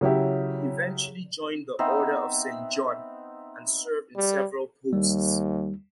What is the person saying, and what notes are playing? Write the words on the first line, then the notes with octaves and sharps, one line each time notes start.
He eventually joined the Order of Saint John, and served in several posts.
C#3 F#3 E4 G4
B3 C4 D#4 E5
G3
D#2 G3